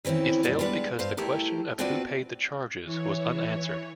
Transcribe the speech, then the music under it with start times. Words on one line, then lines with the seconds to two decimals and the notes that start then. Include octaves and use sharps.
It failed because the question of who paid the charges was unanswered.
0.05 D#3 E3 C4 C#4 E4
0.43 F#2 A#2 G3
0.59 G3 G#3 B3 D4 A#4 B4
0.99 G2 C5 F5
1.17 A3 E4 G4 A#4
1.79 C4 D4 F4 F#4 B4 D5
2.84 E3 C#5